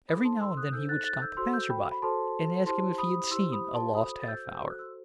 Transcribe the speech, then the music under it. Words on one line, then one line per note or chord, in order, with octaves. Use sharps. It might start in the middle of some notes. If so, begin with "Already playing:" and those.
Every now and then he would stop a passer-by and ask him if he had seen a lost half-hour.
D#4 A4 C5 B5 D#6
A5 C6
C6 E6
D#6 F#6
D#4 A4 C5 E6 G6
F#6 A6
F#6 A6
E6 G6
F#4 A4 C5 C6 E6
E6 G6
G5 B5
B5
F#4 A4 C5 A5 C6
E4 G4 C5 A5 C6
B5 D#6
E4 G4 C5 C6 E6
B5 D#6
A5 C6
F#4 A4 C5 B5 D#6
A6
E6 G6
F#4 A4 C5 E6
F#6
C6 E6